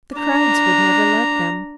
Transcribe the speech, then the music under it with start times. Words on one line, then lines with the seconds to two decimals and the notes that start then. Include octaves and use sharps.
The crowds would never let them.
0.17 D4 A#5